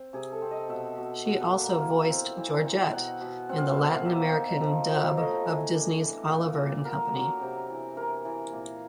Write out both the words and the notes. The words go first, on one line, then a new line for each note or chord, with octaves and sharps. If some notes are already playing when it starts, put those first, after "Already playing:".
She also voiced Georgette in the Latin American dub of Disney's Oliver and Company.
Already playing: C4
C3 G#4
A4
C4
D#5
B2 E5
B2
B2
A#3
E4 F5
C4
E3
C4
B2 F#5
B2
C4 F#5
F5
E5
B2 F5
A#3 E5
D#4
F3
F3
A3 D#5
E3
D4
E3
A#2
A#2
B3 A#4
F#3
C3
E3
E3 A#4
E3
A#2